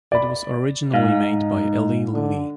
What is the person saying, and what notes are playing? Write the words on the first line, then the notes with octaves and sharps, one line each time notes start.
It was originally made by Eli Lilly.
D5 B5
G#2 D#4 F5
D3